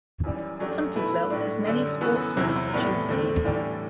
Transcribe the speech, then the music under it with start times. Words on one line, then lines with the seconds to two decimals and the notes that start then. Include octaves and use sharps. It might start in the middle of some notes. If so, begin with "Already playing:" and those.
Huntersville has many sportsman opportunities.
0.24 F#2 E3 G3
0.59 F#2 F#3 A3 D4 G4
0.95 B2 A3 E4 B4
1.30 A2 F#3 A3 D4
1.66 F#2 D3 G3
2.01 F#2 E3 B3 F#4 A4
2.37 E2 C3 F#3 C4 E4
2.73 A2 G3 B3 E4 A4
3.09 E2 D3 A3 C4
3.44 A2 E3 G3 D4 A4